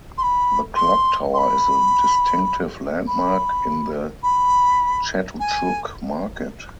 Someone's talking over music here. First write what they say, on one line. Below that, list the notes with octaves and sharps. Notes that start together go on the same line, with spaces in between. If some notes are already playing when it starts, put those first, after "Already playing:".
The clock tower is a distinctive landmark in the Chatuchuk Market.
C6
B5
C6
C6
B5
B5
B5
G#5